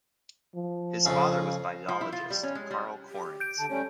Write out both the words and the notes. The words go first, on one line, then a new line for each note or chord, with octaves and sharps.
His father was biologist Carl Correns.
F3
F2 C#3
F3
E4
F4
G3
C#4
G#3
G3
G4
G6 D7
D3 A5
G3 A3 C#4 C#5